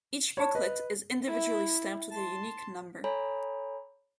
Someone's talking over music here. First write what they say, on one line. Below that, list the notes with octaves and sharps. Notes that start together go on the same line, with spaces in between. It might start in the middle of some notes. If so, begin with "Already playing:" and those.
Each booklet is individually stamped with a unique number.
C#5 A5 B5
B4 D#5
E4 E5
A5 C6
A4 C#5 G#5 A#5 B5